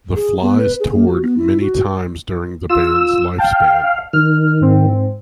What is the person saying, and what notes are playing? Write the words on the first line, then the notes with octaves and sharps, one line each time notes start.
The Flys toured many times during the band's lifespan.
G#4
B3
B4
G#4
A#3
F#4
B3
E4
F#4
F4 E6
F5 G5 A5
D#3 F6
G#2 C4